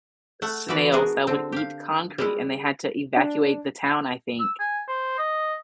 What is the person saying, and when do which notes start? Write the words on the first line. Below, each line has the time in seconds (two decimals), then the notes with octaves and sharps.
snails that would eat concrete and they had to evacuate the town, I think.
0.42 A3 F#5
0.68 E3 B3 F#4 B4 D5
0.92 G#3 B3 D4 F#4 G#4 A#4
1.27 D3 C4
1.52 G4 F5
2.18 G3 G#3 E4
3.16 D4
4.39 E6
4.60 G#5
4.88 C5
5.18 D#5